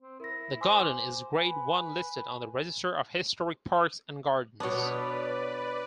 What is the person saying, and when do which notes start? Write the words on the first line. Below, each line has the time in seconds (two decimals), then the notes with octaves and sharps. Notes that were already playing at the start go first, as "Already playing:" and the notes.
The garden is Grade One listed on the Register of Historic Parks and Gardens.
0.02 C4
0.20 E4 A#4 A#6
0.61 C5 G#5 C6 D6
1.37 B4 G#5
4.60 B2 B3 D4 B4 C#5 D5